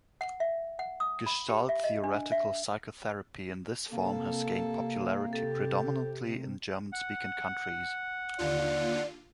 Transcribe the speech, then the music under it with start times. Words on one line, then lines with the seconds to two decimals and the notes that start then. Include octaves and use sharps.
Gestalt Theoretical Psychotherapy in this form has gained popularity predominately in German speaking countries.
0.21 F#5
0.40 E5
0.79 F#5
1.00 D#6
1.26 B5
1.49 G4
1.69 E5
1.84 D#5
2.04 D4
2.32 E5
3.92 C3 A#3 A4
5.33 G4 A4
6.92 F#5
8.38 D#2 D3 F4 D5